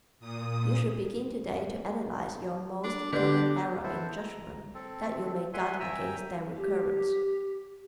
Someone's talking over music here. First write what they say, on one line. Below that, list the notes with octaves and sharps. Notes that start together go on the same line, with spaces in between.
You should begin today to analyze your most common errors in judgment that you may guard against their recurrence.
A#2 D#6
D4
D3 B3 D4 G4 D5 G6
B3 E4 A4 C5
A#5
C4 A4
E5 F#5 G#5 C6
E5 G5 G#5 A#5 E6
G4